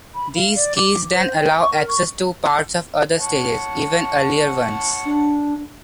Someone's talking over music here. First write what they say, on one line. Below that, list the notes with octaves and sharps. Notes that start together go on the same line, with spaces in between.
These keys then allow access to parts of other stages, even earlier ones.
B5
F5
D5
D6
C5
G5
C#6
A#4
C#6
C#5 F#5 A5
D4